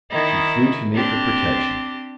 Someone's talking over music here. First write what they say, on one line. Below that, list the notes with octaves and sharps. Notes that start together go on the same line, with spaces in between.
She flew to me for protection.
D#3 D#4 E4
C4 D4 G4